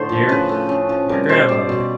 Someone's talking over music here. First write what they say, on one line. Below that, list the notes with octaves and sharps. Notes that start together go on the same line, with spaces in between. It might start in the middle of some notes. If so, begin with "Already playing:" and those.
"Dear," your grandmother.
Already playing: A2 D3 A3 C5
F3
C#3 B4
A3
C#3
F3
G3 A#4
B2 C5
G3 D5
B2